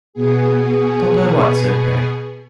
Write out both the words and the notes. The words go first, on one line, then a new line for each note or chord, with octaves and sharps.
'Don't I what?' said Peg.
B2 B3 G#4